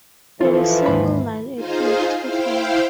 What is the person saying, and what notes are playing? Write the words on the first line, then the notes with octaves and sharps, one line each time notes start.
It is single line electrified.
E3 F3 F4 A4
D#2 G#2 B5
D#4 F4 G#4 C5 F5
E4 C5 F5 G5